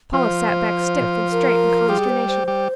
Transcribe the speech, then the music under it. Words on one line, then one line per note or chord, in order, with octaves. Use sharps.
Paula sat back stiff and straight in consternation.
F3 F4 C5
A#4
G3 G4 G#4
C5
C5
G3 G4